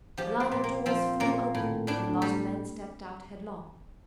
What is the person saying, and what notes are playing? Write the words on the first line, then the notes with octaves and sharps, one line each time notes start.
A line of doors flew open and a lot of men stepped out headlong.
F3 G4
C4
A#2
A#3
F3 C4
A#2 A#3
A2
A2 D4
G3